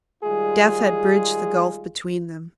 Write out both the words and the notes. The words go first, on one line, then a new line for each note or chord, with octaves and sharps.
Death had bridged the gulf between them.
D#3 G3 G#3 F4 G#4